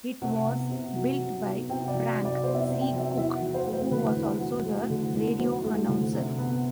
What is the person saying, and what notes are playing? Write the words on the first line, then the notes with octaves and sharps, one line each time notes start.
It was built by Frank C. Cook, who was also the radio announcer.
C3 F#5
B3
C3
F#3
C3
B3
C3 G5
D5
F#3
C3
D5
B3 C5
E5
D5
C3
G5
F#3
E5
E2 E5
F#5
F#3
C5
A3
C5
D3 B4
E2
F#3
A3
D3
E2
F#3 C5
A3
D3
C3
B3